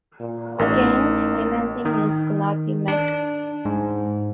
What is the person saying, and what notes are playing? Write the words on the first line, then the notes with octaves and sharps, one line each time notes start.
Again, financing needs could not be met.
A#2
A1 D#4 A#4
D#3
D4
G#2